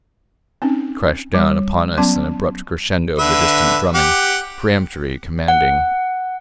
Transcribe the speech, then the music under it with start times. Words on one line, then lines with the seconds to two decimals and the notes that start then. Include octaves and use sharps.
Crashed down upon us an abrupt crescendo of the distant drumming; peremptory, commanding.
0.62 C4 C#4 D#4
1.34 G3
1.98 F#3 B3 C#4 A5 C6
3.19 D3 B4 E5
3.95 G4 F#5
5.48 F#5